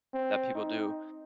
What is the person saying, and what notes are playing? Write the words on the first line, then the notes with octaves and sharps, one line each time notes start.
that people do.
C4
D#4